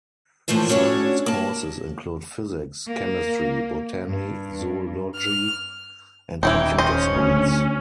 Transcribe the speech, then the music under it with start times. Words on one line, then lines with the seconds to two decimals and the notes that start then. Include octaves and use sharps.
Science courses include physics, chemistry, botany, zoology and computer science.
0.48 A2 E3 F3 A3 A#3
0.69 C#4 D4 F#4 A4 C#5
1.26 A#3 A5
2.87 A#3
4.06 G2
5.15 F6
6.43 D#1 E3 F#3 D#4 G5
6.78 C#4 C5 D#5
7.16 D2